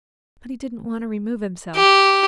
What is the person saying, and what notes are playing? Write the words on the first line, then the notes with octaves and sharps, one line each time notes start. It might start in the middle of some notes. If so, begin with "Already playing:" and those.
But he didn't want to remove himself.
G4